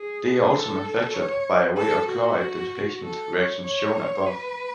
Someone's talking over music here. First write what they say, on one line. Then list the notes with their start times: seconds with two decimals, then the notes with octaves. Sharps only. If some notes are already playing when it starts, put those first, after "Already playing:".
They are also manufactured by way of the chloride displacement reaction shown above.
Already playing: G#4
0.52 A4
1.15 C#5
1.77 A4
2.09 F#4
3.02 A4
3.32 C#5
3.63 C#5
4.26 B4